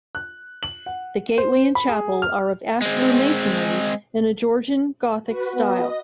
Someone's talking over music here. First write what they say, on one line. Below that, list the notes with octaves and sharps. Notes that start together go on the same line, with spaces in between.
The gateway and chapel are of ashlar masonry in a Georgian Gothick style.
F#6
F#7
F#5
C5
B5
G#4
F6
G#3 C4
F#4 B4
B3 D#5